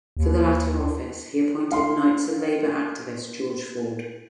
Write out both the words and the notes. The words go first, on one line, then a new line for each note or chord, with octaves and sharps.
For the latter office, he appointed Knights of Labor activist George Ford.
D#2
F5 C6